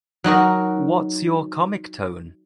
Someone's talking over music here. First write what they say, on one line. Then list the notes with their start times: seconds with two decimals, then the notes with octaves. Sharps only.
What's your comic tone?
0.24 F#3 D#4 F#4 A#4